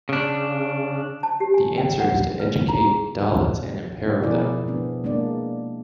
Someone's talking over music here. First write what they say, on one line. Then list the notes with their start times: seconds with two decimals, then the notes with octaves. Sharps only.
The answer is to educate Dalits and empower them.
0.09 C#3 D4
1.23 A5
1.40 G4
1.54 G#5
1.78 G5
2.00 F#5
2.40 B4
2.68 A#5
2.84 G#4
4.22 B2 F3 E4 G#4 A#4 D5
4.68 B3 C4 D4
5.04 G#3 A#3 C4 D4 D5